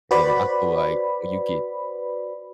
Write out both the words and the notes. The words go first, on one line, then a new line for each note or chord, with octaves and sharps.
and I feel like you get
F#4 B4 C5 D5 B5